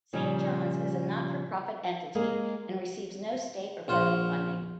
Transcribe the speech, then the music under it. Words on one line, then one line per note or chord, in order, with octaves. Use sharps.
Saint John's is a not-for-profit entity and receives no state or federal funding.
A#2 C#3 F3 G3
G#3 A#3 G#4 A#4 F5
A#1 F4 C5 F#5